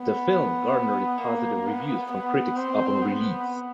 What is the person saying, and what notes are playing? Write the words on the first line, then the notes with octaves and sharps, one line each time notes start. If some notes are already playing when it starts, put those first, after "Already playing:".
The film garnered positive reviews from critics upon release.
Already playing: B3
A#3
B3
B3
C4
B3